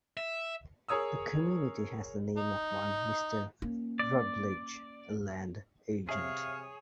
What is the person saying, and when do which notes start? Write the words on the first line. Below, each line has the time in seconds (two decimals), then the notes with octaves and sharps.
The community has the name of one Mr. Rutledge, a land agent.
0.17 E5
0.88 G#4 A#4 C#5 D#6 E6
2.38 D#4
3.62 A#3 C#4
3.99 D5
6.09 C3 G#4 C#5 E5 F5